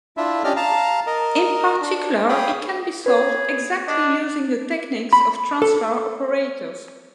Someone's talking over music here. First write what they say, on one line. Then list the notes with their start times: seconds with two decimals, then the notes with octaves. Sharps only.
In particular, it can be solved exactly using the techniques of transfer operators.
0.17 D4 E4 F4 E5
0.44 C#4 D4 G4 D5 D#5 F6
0.56 F5 A5 A#5
1.07 A#4 D#5
1.81 D4
2.29 G#4 C#5 F5 G5 B5 D#6
3.06 G#4 B4 C#5
3.88 D4 D#5
5.13 B5
5.62 A4